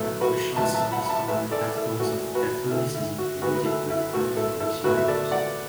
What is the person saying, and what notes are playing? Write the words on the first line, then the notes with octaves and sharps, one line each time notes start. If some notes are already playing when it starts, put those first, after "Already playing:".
The short stories commonly have tones of Catholicism related to life and death scenarios.
Already playing: B1 A2 F#3 A3 E4 A4
F#4 B4
B1 A2 F#3 A3 E5 A5
E5 A5
F#5 B5
B5
E5 A5
A1 A2 A3 B4 E5
A4 D5
E4 A4
A1 A2 A3 F#4
F#4 B4
D2 D3 B3 E4 A4
E4
F#4
D2 D3 B3 F#4 B4
B4
E4 A4
E4
B1 A2 A3 F#4
E4 A4
E4 A4
B1 A2 A3 F#4 B4
E5
A4 D5
D5 F#5